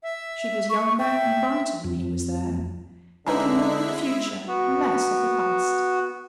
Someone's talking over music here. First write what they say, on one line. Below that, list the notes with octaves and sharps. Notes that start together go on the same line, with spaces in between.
She was younger and brighter when he was there, thinking more of the future and less of the past.
E5
C#6
E5 G5
F2
D3 G#3 C#4 D#4 E4 B4 E5
B3 F#4